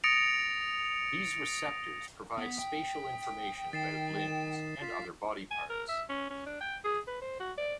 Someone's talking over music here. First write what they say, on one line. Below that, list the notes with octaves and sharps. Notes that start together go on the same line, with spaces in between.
These receptors provide spatial information about limbs and other body parts.
D#6 A6 A#6 C#7 D7 F7
B3 D#6 B6
G5
D#3 A6 C7 E7
E7
F4 A6 B6
G#5
A#4
E5
C#4
C#4
D4
G5
G#4
B4
C5
F#4
D5